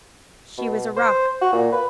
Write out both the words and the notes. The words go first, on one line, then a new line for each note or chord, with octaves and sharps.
She was a rock.
B2
C5
F#4
A#2
B4